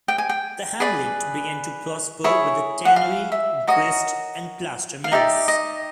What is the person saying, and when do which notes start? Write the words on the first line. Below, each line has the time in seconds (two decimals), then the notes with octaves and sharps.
The hamlet began to prosper with a tannery, grist and plaster mills.
0.08 G5
0.18 G#5
0.29 G5
0.80 G#4 B4 D5
2.24 E4 G#4 C#5
2.85 F#5
2.96 F5
3.32 E5
3.67 F#4 A#4 C#5 D#5
5.04 F5
5.12 D#4 G4 B4 D5 E5
5.48 D#5